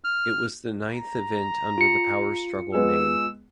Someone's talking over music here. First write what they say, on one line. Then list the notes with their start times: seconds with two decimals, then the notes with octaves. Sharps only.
It was the ninth event under the Power Struggle name.
0.04 F6
0.90 A#5
1.78 F4 C#7
2.74 G#3 B3 E6